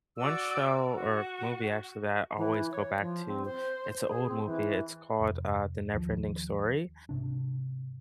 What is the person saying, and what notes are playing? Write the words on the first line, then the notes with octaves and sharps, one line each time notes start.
One show or movie, actually, that I always go back to, it's an old movie. It's called, uh, The Never Ending Story.
F#4 D5 D6 E6
F#4
E3
C#5
F3
C4
C5
G#4
C4
E3
F1
D#2 F3
G#2 C3 D4